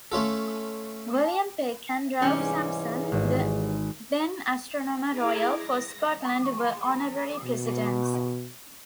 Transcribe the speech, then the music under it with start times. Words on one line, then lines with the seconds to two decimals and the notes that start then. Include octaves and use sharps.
William Peck and Ralph Sampson, the then Astronomer Royal for Scotland, were honorary presidents.
0.12 A3 C#4 F4 A4
2.22 G#2 C3 E3 G3 C#4 G#5
3.12 G#1
5.10 E4 G#4 G#5 A#5 D6
5.51 A#6
7.43 B2